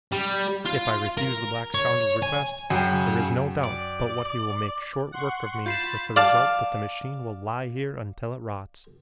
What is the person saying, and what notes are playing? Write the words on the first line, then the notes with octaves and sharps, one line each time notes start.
If I refuse the black scoundrel's request, there is no doubt but what he will make short work of me with the result that the machine will lie here until it rots.
G3
F4 F5
A#4
C#5
G#5
F#2 C#3 G5
D5
F#5 C6 C#6
F4 B5 G6 A6 C7 E7
D5 F5 A5